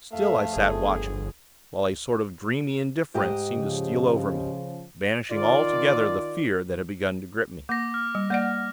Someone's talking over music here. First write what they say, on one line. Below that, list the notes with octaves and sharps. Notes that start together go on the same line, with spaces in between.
Still, I sat watching; while a sort of dreamy indifference seemed to steal over me; banishing altogether the fear that had begun to grip me.
F2 A3 A4 E5 F5
G1 G#4
G#2 G4 D#5
C#3 F3
D#3 F4 D5
A#3 D6 A#6
F6
G3
A#3 D5 F#5